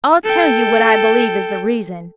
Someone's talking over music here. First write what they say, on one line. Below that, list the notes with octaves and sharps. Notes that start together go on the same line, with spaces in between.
I'll tell you what I believe is the reason.
A4 G5